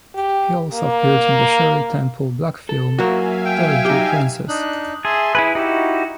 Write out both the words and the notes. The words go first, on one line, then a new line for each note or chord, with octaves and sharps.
He also appeared in the Shirley Temple Black film, "The Little Princess".
G4
A#3
A4
F#3 A#3 F#4 E5 F5 G#5
G5
D#4 G4
D4 D#4 F#6
G#4 E5 A5 C6
E4 G#4 B4
D#4 E4 F#4 G4